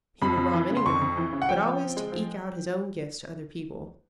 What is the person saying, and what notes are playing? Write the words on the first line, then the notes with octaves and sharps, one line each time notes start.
He would rob any one,--but always to eke out his own gifts to other people.
F2 B5
F2
E3
C#3
C6
F2 C#6
F2
E3
C#3
F#5
F3 G5
F3
C4
G#3
F3